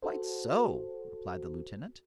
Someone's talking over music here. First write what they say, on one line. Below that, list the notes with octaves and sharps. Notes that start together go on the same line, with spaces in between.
"Quite so," replied the lieutenant.
F#4 A4 C5